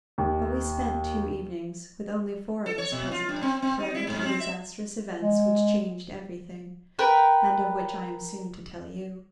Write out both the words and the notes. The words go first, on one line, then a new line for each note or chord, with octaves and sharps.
But we spent two evenings, with only four of us present, prior to the disastrous events which changed everything, and of which I am soon to tell you.
D#2
A4
C#5
B2
F4
G2
C4
C4
D#4
E4
G#2
C4
E5
G#3
A#4 B4 G5